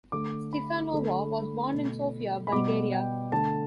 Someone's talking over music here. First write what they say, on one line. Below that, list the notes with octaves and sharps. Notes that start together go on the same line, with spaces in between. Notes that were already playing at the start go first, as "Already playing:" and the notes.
Stefanova was born in Sofia, Bulgaria.
D3 A3 D6
B5
D3 A3
B2 A3
B5
B2 G3 B3 D6
G5
D3 A3 A5